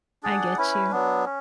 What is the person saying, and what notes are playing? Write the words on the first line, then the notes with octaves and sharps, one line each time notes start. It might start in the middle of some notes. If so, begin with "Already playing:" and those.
I get you.
D4 G#4 D5 F#5
C#4 E4 B4
F#3 B3 D4
C#4